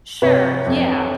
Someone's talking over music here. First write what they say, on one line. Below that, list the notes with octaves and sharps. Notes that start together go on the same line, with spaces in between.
Sure, yeah.
C3 B4 C#5
F2